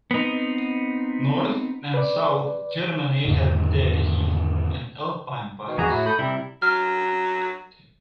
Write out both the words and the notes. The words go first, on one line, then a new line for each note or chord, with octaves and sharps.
North and South Germany have their heath and alpine parks.
B3 C4 D#4
B4 D5
E2 G#2 D3 D#3
B2 D#3
E2 E3 F#4 G#4 A#5
A2 E4 F#4
A4 B5 D#6 G6
C3 G3 C4 E4
F#3 F6